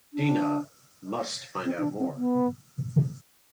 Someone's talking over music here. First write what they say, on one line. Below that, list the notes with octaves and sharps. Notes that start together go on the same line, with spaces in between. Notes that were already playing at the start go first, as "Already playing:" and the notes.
Dinah must find out more.
D4
C4
D#4
D4
C4
B3